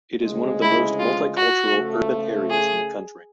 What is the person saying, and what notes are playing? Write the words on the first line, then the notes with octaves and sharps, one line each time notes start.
It is one of the most multicultural urban areas in the country.
D2 C#3 F3 G#3
E4
F4
F#4
C#3 F3 A3
G#4